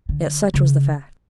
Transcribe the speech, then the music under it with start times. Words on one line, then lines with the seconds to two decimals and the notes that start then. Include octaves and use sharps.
Yet such was the fact.
0.09 D3
0.54 C#3